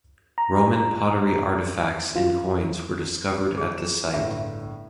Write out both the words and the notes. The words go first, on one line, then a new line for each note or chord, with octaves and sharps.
Roman pottery artefacts and coins were discovered at the site.
A#5
F4
G#4
E7
G1 A2 E5